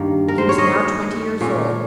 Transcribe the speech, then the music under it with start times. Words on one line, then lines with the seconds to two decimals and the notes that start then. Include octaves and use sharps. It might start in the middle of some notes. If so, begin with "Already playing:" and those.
He was now twenty years old.
Already playing: G2 D#3 A#3
0.28 A#4
0.38 C5
0.49 C#5
0.58 D#5
1.41 A#2 G#3 C#4